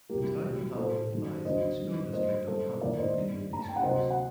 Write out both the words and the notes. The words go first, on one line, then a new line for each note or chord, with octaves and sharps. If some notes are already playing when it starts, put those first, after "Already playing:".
The town of Hamilton lies in the school district of Hamilton Community Schools.
C2 A#2 F#3 A3 G4 A#4
C2 A#2 F#3 A3
A2 A3 A4 C5
F#2 D#3 F#3
D2 D3 F#3 C5 D#5
F#2 D#3 G3
G2 F#3 A3 C5 D#5
F#2 D3 G3 A4 C5
D#2 D3 A3 A#4 D5
C5 D#5
G2 D#3 G3
D#2 D#3 A3 A#5
A5
G5
F#5
D2 C3 F#3 C5 D#5
F#5